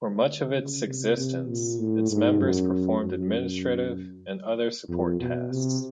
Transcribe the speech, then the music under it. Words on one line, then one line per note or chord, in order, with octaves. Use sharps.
For much of its existence, its members performed administrative and other support tasks.
C#3
C3
C3
A#2
A2
G#2
F#2
F#2
F2
B2
C3